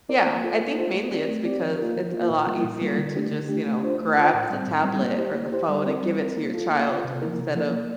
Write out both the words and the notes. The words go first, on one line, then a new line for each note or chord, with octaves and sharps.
Yeah, I think mainly it's because it's a lot easier to just, you know, grab the tablet, or the phone, and give it to your child instead of
C4 E4 A#4 D5
A#3
F4 A4 C5
A#3
F4 A4 C5
A3
C4 G4 D5
A3
C4 G4 D5
F3
A#3 F4 A#4
F3
A#3 F4 A#4
A#2
G3 A#3 F4 A#4
A#2
G3 A#3 F4 A#4
D3
A3 D4 G4
D3
A3 D4 G4
A3
D4 F4 C5
A3
D4 F4 C5
A2
G3 C4
A2
G3 C4
A#3
E4 G4 C5
A#3
E4 G4 C5
G3
C4 E4 A#4
G3
C4 E4 A#4
A#3
F4 A4
A#3
F4 A4
C3
F3 A#3 E4 A#4
C3
F3 A#3 E4 A#4
A#3